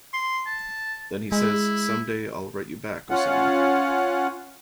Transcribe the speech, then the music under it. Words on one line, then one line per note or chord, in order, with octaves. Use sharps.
Then he says: "Someday, I'll write you back, Osama".
C6
A5
G#3 E4
C#4 F4 F#5